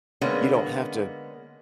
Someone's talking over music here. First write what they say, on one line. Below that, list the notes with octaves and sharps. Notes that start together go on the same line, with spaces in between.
You don't have to
D3 G#3 A#3 B3 C#4